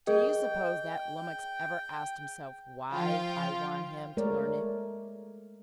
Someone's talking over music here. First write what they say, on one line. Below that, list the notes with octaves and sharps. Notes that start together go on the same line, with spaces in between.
Do you suppose that lummix ever asked himself WHY I want him to learn it?
G#4 A#4 D#5 G5
F3 F4 G5
G#3 A3 A#4 C#5 D5